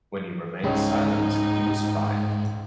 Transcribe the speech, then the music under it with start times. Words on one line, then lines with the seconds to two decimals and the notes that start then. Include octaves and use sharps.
When he remained silent, he was fired.
0.63 C#2 G#2 D#4 G#4 C#5